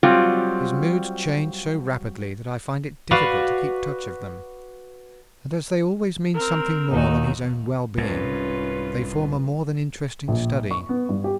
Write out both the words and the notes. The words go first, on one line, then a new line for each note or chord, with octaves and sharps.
His moods change so rapidly that I find it difficult to keep touch of them, and as they always mean something more than his own well-being, they form a more than interesting study.
F#3 G3 C4 F4
F#4 B4 D5 F5
C4 A#4
D#2 D#4 F#4
C2 G#2 C#4 F4 B4
A#1
C#6
B3
G2
G4